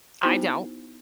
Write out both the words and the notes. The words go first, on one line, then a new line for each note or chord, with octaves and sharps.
I don't.
B3 D#4 E4 F#4 C5 G5